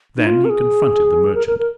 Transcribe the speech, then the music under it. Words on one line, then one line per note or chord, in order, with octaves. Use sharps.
Then he confronted the merchant.
D#4
F4
A#4
G#4
A#4
A#4
A#4